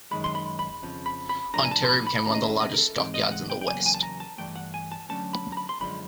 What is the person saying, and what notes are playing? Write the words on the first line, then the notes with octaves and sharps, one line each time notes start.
Ontario became one of the largest stockyards in the West.
F#2 D#3 G#3 B5
C6
B5
B5
F2 C#3 F3
B5
B5
A2 F3 A3 D4 A#5
G#5
A5
C6
B5
B5
D#3 G#3 C#4 A#5
D#5
E5
D#5
A#4
A4
G#2 E3 G#3 C4 D#4 D5
D#5
F#5
G5
G5
E2 C#3 F#3 A#3 G#5
G#5
A5
A#5
A5
G2 E3 A3 G5
F#5
G#5
A5
D3 F#3 A3 C#4 A5
B5
A#5
B5
C6
F#2 D3 F3 G#3 B5